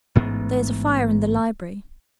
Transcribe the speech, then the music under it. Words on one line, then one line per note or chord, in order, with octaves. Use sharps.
There is a fire in the library.
A1 G#2 B3